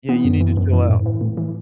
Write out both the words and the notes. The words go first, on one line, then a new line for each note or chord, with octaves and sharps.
Yeah, you need to chill out.
E3 B3
F#2
E3
F#2
E3
A2
E3
A2
E3